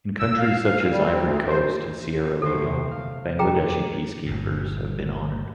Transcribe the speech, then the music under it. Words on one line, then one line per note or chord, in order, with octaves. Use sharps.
In countries such as Ivory Coast and Sierra Leone, Bangladeshi peacekeepers have been honoured.
E6
F5
F5
G3
C4
D2
C5
D2 A4 C5
C3
F5
F2 G#4 G5 A#5
G1 G2 A#2